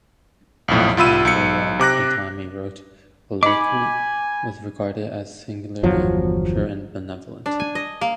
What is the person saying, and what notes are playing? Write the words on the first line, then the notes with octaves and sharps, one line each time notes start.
As Andrea Adami wrote, Allegri was regarded as singularly pure and benevolent.
B1 F2 A2
C2 F4 B5 E6 D#7
B1 C#7
C3 D6 F#6 A#6
D#4 D#5 G#5 B5 D6
G1 E2 F3 F#3
D4
G#5
D#5
A#3